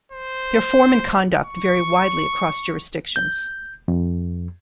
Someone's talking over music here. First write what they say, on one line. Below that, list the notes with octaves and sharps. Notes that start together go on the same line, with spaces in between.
Their form and conduct vary widely across jurisdictions.
C5
C#6
G6
F2